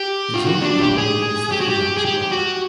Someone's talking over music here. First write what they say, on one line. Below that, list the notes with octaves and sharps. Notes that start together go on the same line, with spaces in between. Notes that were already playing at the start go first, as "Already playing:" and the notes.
His only problem is that he likes rock.
Already playing: G4
F4
F#4
D4
G4
G#4
G4
F#4
G4
G#4
G4
F#4